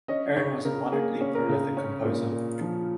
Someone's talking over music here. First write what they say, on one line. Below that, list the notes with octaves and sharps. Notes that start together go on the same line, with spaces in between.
Arne was a moderately prolific composer.
C#4 D#5
C#3 C#5
C#3 A#4
A#3 G#4
C#4
A#4
C#3
C#4
A#2
A#2
F3